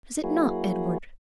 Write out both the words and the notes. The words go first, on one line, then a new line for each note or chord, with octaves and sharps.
"Is it not, Edward?"
F#3 A#3 E4 F#4 G#4